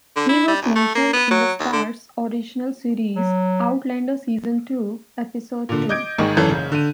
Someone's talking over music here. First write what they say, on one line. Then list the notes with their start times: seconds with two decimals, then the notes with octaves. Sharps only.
He was mentioned in the Starz original series, Outlander season two, episode two.
0.16 D3
0.29 E4
0.48 G3
0.62 C#2
0.76 A3
0.95 A#3
1.13 B3
1.31 F#3
1.60 D#2
1.73 D3
3.14 F#3
5.69 A#2 D3
5.89 D#5 D6 G6 G#6 D7
6.18 G#1 G#2 D#3 D#4 G#4 C#6
6.37 G#1 F#2 E3 C#4 A4 G6
6.49 F#1 C#3
6.72 D3 D#7